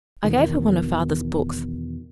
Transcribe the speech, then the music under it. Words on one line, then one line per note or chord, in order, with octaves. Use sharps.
I gave her one of father's books.
E2 B2 D#3